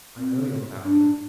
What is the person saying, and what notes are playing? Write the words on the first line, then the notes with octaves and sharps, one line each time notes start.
I know your family.
C4
D4